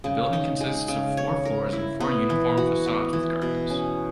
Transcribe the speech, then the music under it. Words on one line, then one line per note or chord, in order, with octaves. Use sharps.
The building consists of four floors and four uniform facades with gardens.
C#3
D#4
G#3
C#3
C#5
A#4
E4
B3
E3
F#4
B3
E3
B2
C#4